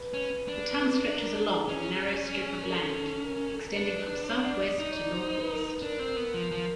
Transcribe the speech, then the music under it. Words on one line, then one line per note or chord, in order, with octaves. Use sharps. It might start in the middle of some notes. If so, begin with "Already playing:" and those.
The town stretches along and narrow strip of land, extending from southwest to northeast.
Already playing: B4
C#4
D4
A#4
A4
G#4
C#4
A#4
A4
A#4
A4
A#4
D4 B4
C#5
D5
D#5
D#4 D#5
C#5
D5
C5
C5
B4
A#4
B4
D4 A#4
C4
B3
F3
F3